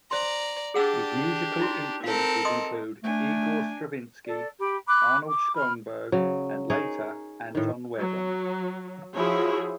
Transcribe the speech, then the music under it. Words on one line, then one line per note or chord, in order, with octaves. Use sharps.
His musical influences include Igor Stravinsky, Arnold Schoenberg, and later Anton Webern.
C5 D5 A#5 C6
D4 G4 G#4 F#5 E6
D#4 E4 F#4
C4 A4 A#4 F5
D#5 C6 D#6
A3 D4 G#5
A4 D5
G4 B5
B5 D6 F#6
D6
B5 F6
C#3 F#3
D#4 G#4 A#4 C#5
A2 D#3
F#3
F3 E4 F#4 G#4 C#5